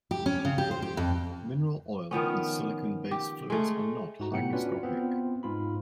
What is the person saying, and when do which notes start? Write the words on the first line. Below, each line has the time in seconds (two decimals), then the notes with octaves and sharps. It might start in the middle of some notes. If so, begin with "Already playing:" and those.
Mineral oil and silicone based fluids are not hygroscopic.
0.11 G4
0.26 C#4
0.45 C#3
0.58 G4
0.71 C5
0.82 G4
0.97 F2
2.11 D#3 F3 B3 C#4
3.11 G4
3.50 G#3 A3
4.20 G#2 F#4 A#5
4.32 A2 C3 B3 F#5 G5 C#7
4.53 C#4 D4 F4 F#4 B4 D5
4.83 B3 C4 F4
5.43 G#2 F4 B5